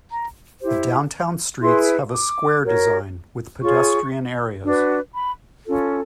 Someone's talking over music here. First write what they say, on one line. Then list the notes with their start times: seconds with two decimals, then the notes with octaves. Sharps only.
The downtown streets have a square design, with pedestrian areas.
0.10 A#5
0.60 E4 G4 C5
1.62 E4 G#4 B4 C6
2.12 D6
2.62 F#4 A#4 C#5
3.63 F4 G#4 C#5 C#6
4.64 D4 F#4 B4
5.14 B5
5.65 C#4 F4 A4